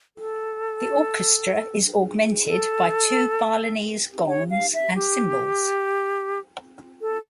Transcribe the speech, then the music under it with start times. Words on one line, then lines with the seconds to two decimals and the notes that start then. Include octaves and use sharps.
The orchestra is augmented by two Balinese gongs and cymbals.
0.17 A4
2.46 A4
4.28 C#5
4.50 F5
4.74 E5
4.95 G4
7.01 A4